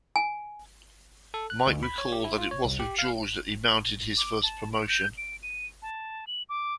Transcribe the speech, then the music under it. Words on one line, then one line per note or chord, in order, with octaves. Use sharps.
Mike recalled that it was with George that he mounted his first 'promotion'.
G#5
A4
F#6
D2
B5
C#5
G4
E4
F4
C#5
C2
G4
F5
D6
A5
D7
G6
D7
D#7
A5
F#7
D6